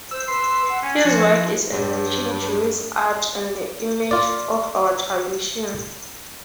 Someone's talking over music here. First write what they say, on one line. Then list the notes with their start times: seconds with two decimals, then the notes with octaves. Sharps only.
His work is enriching Jewish art and the image of our tradition.
0.11 C5 E6
0.28 B4 C6
0.69 F#5
0.82 C#4 G#5
1.05 F3 F#4
1.33 E4
1.72 G2 F#3 G3
4.11 F4 D5